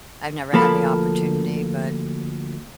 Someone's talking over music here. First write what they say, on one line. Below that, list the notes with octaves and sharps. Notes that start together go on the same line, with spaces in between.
I've never had the opportunity, but
D2 F3 A#3 A4 B5